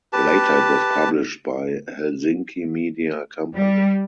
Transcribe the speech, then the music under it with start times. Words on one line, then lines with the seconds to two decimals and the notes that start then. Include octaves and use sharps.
Later it was published by Helsinki Media Company.
0.13 G4 B4 A5
3.56 G3